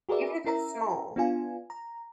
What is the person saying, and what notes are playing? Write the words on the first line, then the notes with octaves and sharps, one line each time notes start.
even if it's small,
F#4 G#4 A#4 B4 D5 E5
C#4 E4 A#4 E5 A#5
B3 D4 F4 G#5
A#5